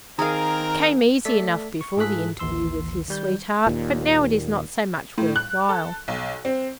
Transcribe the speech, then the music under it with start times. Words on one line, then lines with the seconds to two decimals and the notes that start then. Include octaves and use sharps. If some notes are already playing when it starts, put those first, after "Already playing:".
It came easy enough before the interview with his sweetheart, but now it is not so much worth while.
0.19 D#3 C4 G#4 A#4 F5 A#5
1.25 A3 A4 D5 B6
1.81 C#6
1.97 G#2 F4 G#4 A4 F#6 B6
2.39 A1 D#2 E3 C6 E6
3.08 D#3 G3 G6
3.67 D#2 A#2
5.18 A2
5.36 F#6
5.69 A4
6.08 B1
6.45 C4